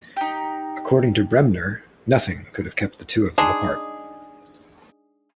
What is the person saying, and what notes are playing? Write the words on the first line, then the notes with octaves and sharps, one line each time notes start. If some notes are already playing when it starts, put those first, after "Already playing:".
According to Bremner, Nothing could have kept the two of them apart.
D#4 G4
G#3 D4 D#4 G#4